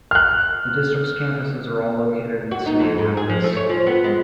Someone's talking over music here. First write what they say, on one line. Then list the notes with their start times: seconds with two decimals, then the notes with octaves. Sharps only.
The district's campuses are all located in the city of Memphis.
0.11 F6 F#6
2.51 F#4
2.66 D#4
2.80 F2
2.98 G#2
3.17 G#4
3.30 F3
3.44 A3
3.57 C#5
3.69 F3
3.86 B3
4.04 G#3